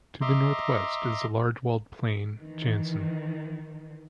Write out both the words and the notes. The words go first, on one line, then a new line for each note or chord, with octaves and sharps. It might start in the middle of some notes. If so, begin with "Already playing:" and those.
To the northwest is the large walled plain Janssen.
D#5 E5 A#5 C6 D6
D#3 E3